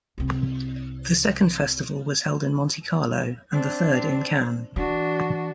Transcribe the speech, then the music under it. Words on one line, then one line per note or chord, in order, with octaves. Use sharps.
The second festival was held in Monte Carlo, and the third in Cannes.
C2 C4
C4 D4
E3 D4 F#4